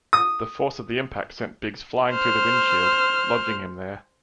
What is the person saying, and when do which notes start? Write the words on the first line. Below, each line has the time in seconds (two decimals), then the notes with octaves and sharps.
The force of the impact sent Biggs flying through the windshield, lodging him there.
0.13 D#6
2.11 C5 F6